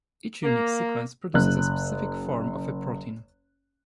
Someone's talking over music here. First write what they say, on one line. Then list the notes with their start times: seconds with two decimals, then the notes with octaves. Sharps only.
Each unique sequence produces a specific form of a protein.
0.44 A#3
1.34 F#1 F#6